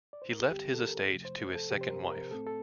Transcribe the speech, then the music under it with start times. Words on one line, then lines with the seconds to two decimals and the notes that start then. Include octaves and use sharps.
He left his estate to his second wife.
0.13 D5
0.22 C5
0.31 A#4
0.41 A4
0.50 D#2 D3 G3 C4 G4
0.74 A4
0.80 A#4
1.10 F2 C3 F3 A3
1.25 C5
1.55 A4
1.70 C2 C3 F3 C4 G4
1.81 C5
1.91 A#4
2.11 A#4
2.31 A2 A3 C4 A4
2.47 A4